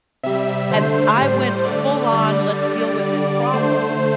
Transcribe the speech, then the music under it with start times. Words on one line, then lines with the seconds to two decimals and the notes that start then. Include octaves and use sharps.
and I went full-on, "Let's deal with this problem,
0.23 C3 G3 E5
0.70 D3 A3 C5
1.17 A2 G3
1.64 D3 A3 D5
2.12 D3 G3 D5
2.59 D3 G3 D5
3.06 D3 G3
3.53 D3 A3 C5